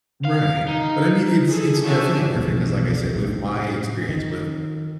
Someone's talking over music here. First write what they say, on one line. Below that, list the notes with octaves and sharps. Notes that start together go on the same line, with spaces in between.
Right. But, I mean, it's it's definitely worth it, 'cause, I said, with my experience with,
F5
D#4
G#4 A4
D4 F#4 C#5 E5 G#5 A5
B1 E2 B2 F3
A2 C3
D#3